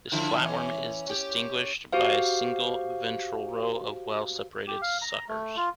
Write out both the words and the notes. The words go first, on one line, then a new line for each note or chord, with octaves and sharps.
This flatworm is distinguished by a single ventral row of well separated suckers.
D3 F3 E4
E3 C#4
C#4 G4
F#4 G4 C5 F5
G4
F5
A#5
A3
F4